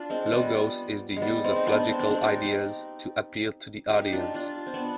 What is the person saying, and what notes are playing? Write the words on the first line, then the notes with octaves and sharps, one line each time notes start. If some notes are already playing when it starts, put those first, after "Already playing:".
Logos is the use of logical ideas to appeal to the audience.
Already playing: D4 F4
G#3 C4
C4
G3 B3
G#3
G3 B3
G#3 C4
D#4
B3 D4
C4
D4
G#3 C4
D#4 G4
D#4 G4
D#4
D4 F4
D4 F4
C4
B3 D4